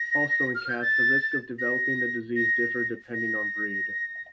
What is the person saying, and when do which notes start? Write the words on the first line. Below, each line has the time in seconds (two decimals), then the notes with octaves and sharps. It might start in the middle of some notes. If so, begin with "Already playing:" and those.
Also in cats, the risk of developing the disease differ depending on breed.
Already playing: A#6
0.55 F6
0.68 G6
0.82 A6
1.59 A#6
2.36 A#6
3.13 A#6